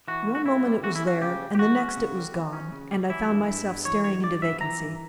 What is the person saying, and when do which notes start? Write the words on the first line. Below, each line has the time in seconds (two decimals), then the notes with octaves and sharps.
One moment it was there and the next it was gone, and I found myself staring into vacancy.
0.08 E3 F#4
0.27 C#4
0.35 F#4
0.45 C#3 E4
0.65 G3
0.83 E3 F#4
0.95 E4
1.02 C#4 F#4
1.21 C#3 G4
1.40 G3
1.55 G4
1.59 E3 F#4
1.77 C#4
1.97 C#3
2.15 G3
2.34 E3
2.53 C#4
2.72 C#3
2.91 G3
3.09 E3 E4
3.29 G2
3.47 G2
3.66 B3
3.85 E3 C#5
4.04 G2 C#5
4.23 G2 D5
4.42 B3 E5
4.60 E3 A#5
4.80 G2